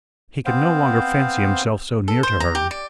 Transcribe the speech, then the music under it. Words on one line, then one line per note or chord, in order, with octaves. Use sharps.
He could no longer fancy himself so near to her.
B3 C4 C5 F5
A4
C5
A#5
G4
D5